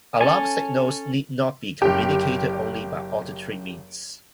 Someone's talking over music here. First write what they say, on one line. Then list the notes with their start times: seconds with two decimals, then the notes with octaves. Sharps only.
Alarm signals need not be communicated only by auditory means.
0.21 C#4 A4 G#5
1.82 F#1 G4